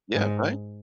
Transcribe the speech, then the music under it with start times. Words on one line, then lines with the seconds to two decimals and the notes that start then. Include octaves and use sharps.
Yeah, right?
0.15 G#2